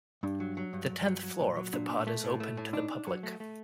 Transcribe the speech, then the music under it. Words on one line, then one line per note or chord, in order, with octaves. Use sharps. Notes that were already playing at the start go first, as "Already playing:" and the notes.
The tenth floor of the pod is open to the public.
G2 D4
F#3
F#3
G2
G2
F#3
F#3
A#2
F#3
A#2 D4
A#2
A3
A2
A3
A2
D4 D#4
D4
F#3
A3
A3